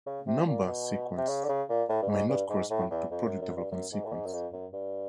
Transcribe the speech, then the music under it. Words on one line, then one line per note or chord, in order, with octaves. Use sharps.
Number sequence may not correspond to product development sequence.
C#3
C3
A#2
B2
C3
C#3
D3
C#3
A#2
A2
G2
G#2
G2
G#2
A2
E2
F2
F#2
F#2
G2
F#2
G#2
A2
G#2
F#2
F2
F#2
G2